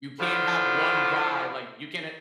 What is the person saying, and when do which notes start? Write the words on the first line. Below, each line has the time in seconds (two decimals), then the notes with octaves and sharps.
You can't have one guy, like, you can ha
0.20 A2 D3 F3